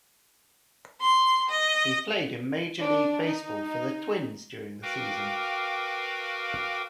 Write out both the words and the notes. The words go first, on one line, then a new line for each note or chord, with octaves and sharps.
He played in Major League Baseball for the Twins during the season.
C6
D#5
D4
D#4
F#4 A#4 B4 F5 G5 D6